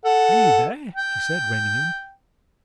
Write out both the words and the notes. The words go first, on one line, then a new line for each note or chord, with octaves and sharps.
"Are ye there?" he said, reining in.
A4 F#5
G5